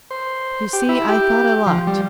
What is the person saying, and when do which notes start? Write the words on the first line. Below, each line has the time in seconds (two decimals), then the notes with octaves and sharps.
You see, I thought a lot.
0.11 C5
0.73 G4
0.89 E4
1.09 G4
1.66 F3
1.87 G3